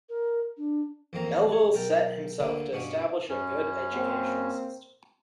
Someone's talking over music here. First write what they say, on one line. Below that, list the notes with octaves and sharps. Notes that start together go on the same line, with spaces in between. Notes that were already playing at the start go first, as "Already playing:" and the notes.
Melville set himself to establish a good educational system.
A#4
D4
A1 F2 A#3 C4 F5 A#5
C#5
B1 A#4 G5 A5
D2 D3 A#3 D4 B4 F5
G2 B2 C#4 D4 F#4 F5
F#2 C#4
A#3 C4